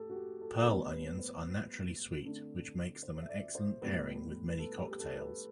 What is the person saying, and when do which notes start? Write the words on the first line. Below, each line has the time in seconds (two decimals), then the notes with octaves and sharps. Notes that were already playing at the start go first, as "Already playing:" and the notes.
Pearl onions are naturally sweet, which makes them an excellent pairing with many cocktails.
Already playing: A2 G4 A4
0.10 F#4
0.15 G4
0.41 A4
0.61 A4
0.67 A2 G3 B3 B4
0.93 B4
1.19 C5
2.24 D3 A3 C4
3.03 C5
3.22 E5
3.29 D5
3.55 C5
3.82 A2 G3 B3 B4
4.49 B4
4.59 A4
4.79 G4
4.91 G4
5.00 A4
5.18 B4